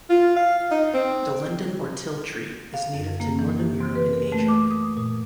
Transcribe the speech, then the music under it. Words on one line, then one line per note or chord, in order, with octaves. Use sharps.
The linden or til tree is native to northern Europe and Asia.
F4
F5
D#4
C4
F5
F#2
A#3
E3
G4
C4
B4
A#4
A3
D6
D#6
A#2